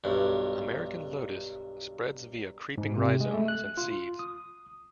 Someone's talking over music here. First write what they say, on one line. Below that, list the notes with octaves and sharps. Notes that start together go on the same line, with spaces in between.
American Lotus spreads via creeping rhizomes and seeds.
B1 G2
G#2
C3
G#3
A3
F#6
F4
D#6